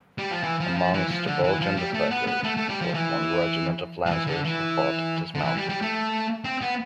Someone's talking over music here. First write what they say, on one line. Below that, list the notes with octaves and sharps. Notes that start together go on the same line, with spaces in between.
Amongst the Belgian defenders was one regiment of lancers who fought dismounted.
G3
F3
E3
F3
F3
E3
F3
D3
E3
F3
G3
A3
B3
B3
A3
A3
G3
F3
E3
F3
E3
D3
E3
D3
E3
G3
G3
A3
C4
B3